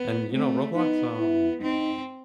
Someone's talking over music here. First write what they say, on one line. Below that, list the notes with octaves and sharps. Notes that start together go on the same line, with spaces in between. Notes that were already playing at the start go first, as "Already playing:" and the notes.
And, you know, Roblox, um
Already playing: B3
A3 C4
B3 D#4
E4
C4 D#4